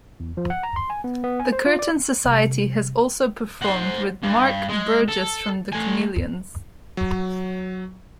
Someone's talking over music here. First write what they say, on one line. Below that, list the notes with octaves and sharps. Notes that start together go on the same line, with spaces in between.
The Curtain Society has also performed with Mark Burgess from The Chameleons.
E2
F3
F#5
A#5
C6
G#5
B3
B3
G#5
C5
F4
D5
C3 G3
C5 F#5
G2
G#3
A4
A3 G#5
F#3